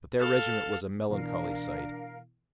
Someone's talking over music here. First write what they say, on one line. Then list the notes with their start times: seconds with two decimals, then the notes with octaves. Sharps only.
But their regiment was a melancholy sight.
0.19 A4 F5
1.10 B2 E3 D4 A#4 F5